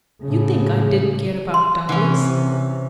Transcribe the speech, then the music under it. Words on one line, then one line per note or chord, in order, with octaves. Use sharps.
You think I didn't care about Douglas?
A2 C#3
C6
C3 E3 C#4 F#5